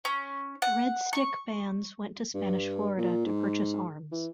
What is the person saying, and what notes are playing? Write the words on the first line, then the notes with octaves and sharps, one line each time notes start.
Red Stick bands went to Spanish Florida to purchase arms.
C#4
F#5
C#6
G2
A#2
G#2
E3